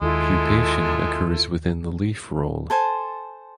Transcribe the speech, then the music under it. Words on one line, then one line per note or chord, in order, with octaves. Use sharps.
Pupation occurs within the leaf roll.
D#2 G#3 E4 F4 A4
A4 C5 G#5 A5